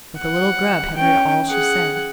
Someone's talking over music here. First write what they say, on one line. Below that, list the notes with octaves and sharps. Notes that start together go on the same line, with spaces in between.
But the little Grub had heard all she said.
F#5
C#4 G5
G#4 F#5